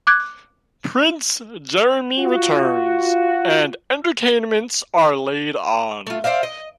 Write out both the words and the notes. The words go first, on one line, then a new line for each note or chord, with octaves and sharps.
Prince Jeremi returns and entertainments are laid on.
D6 F#6 G#6
F4 F#4
A3 F4
C5 D5 E5 F5
D#5